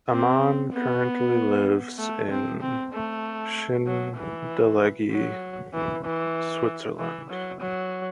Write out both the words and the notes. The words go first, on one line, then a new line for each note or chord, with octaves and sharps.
Ammann currently lives in Schindellegi, Switzerland.
C4
B3
A3
C4
C4
A3
F#3
E3
F#3
E3
E3
E3
F#3
F#3